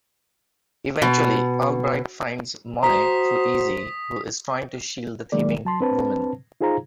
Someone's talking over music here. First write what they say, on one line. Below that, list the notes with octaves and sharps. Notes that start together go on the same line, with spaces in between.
Eventually, Albright finds Monet through Easy, who is trying to shield the thieving woman.
B2
F#4 C5 A#5 D#6 B6
D#3 F#3 G#3 A#3 D5
F#3 A5 C6
C4 D4 B4 C5 A5
D#4 F4 G#4 C5 F5 A#5